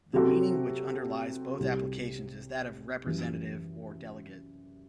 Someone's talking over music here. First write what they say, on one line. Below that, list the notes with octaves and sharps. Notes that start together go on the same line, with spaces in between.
The meaning which underlies both applications is that of representative or delegate.
C3 F#3 C4 F#4 A4
C2 C3 G3
F#2 E3 G3